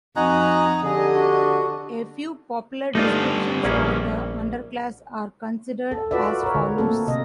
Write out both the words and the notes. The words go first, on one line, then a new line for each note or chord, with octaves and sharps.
A few popular descriptions of the underclass are considered as follows.
F2 D#4 F#4 D#5 G#5 A#5 F#6
D3 G4 G#4 D#5
D4 F#4
G3 A3 B3 D4 D#4 F4 D5
A#1 A#3 C#4 D5
A4
F4 F#4 B4 D5 E5
A#4 C#5
D3
A3 A#3 C4 A4
C3 D#5